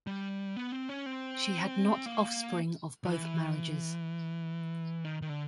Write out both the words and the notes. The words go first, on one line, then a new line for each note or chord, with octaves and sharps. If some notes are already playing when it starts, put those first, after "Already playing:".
She had not offspring of both marriages.
G3
B3
C4
C#4
C4
A#3
E3
D#3
D#3
D3